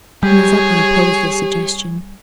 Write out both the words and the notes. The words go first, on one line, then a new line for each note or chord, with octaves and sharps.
Mazeppa opposed this suggestion.
G3 G4 G#4 C#5